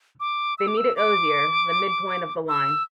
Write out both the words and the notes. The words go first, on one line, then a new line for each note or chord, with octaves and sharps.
They meet at Osier, the midpoint of the line.
D6
E6
D6
E6
D6
E6